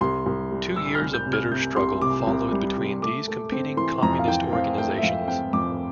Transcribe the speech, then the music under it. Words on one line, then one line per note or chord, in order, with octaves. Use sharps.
Two years of bitter struggle followed between these competing Communist organizations.
C2 C6
C2
G3
G3 E6
F6
C2
G6
C3
F6
C3 G6
C2 C6
C3 D6
C2
G3
C2
A3 D6
A3
C4
E3 C6
F2 A#5
F5
E3 G5
C4 F5
A3 G5
E5
F2 F5
C4 G5
F2 D6